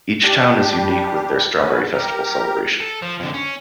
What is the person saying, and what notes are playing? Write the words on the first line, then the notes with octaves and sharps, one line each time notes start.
Each Town is unique with their strawberry festival celebration.
G3 D4 G4
A3 C#4 F#4 B4
G4 A#4 A#5
A4
F3
F2 D3
C#4